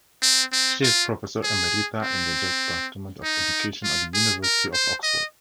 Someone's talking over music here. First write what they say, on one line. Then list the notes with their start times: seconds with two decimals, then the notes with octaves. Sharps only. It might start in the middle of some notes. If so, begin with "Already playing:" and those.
She is Professor Emerita in the Department of Education at the University of Oxford.
0.23 C4
0.53 C4
0.83 F4
1.44 G#4
2.03 C4
3.23 D#4
3.84 F4
4.14 G#4
4.43 A#4
4.74 C5
5.03 D#5